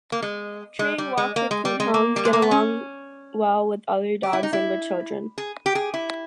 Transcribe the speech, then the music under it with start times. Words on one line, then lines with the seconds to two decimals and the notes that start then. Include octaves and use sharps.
Treeing Walker Coonhounds get along well with other dogs and with children.
0.12 A#3
0.22 G#3
0.79 G#3
0.98 G3
1.17 G#3
1.36 A#3
1.51 G#3
1.65 G3
1.80 G#3
1.94 A#3
2.16 G3
2.25 G#3
2.33 A#3
2.42 B3
2.51 C#4
4.23 G4
4.33 E4
4.43 D#4
4.53 E4
5.38 G#4
5.66 G4
5.75 G#4
5.94 E4